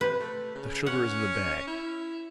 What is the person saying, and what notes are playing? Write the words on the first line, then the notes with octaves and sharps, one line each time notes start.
The sugar is in the bag.
C3 B4
A3
C#3
C#4 F#5
E4